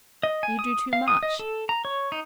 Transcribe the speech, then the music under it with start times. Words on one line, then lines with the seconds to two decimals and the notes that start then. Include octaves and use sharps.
You do too much.'
0.23 D#5
0.43 G#5
0.59 D#6
0.93 F5
1.08 D#6
1.23 D#5
1.39 A4
1.69 A#5
1.85 C#5
2.12 D#4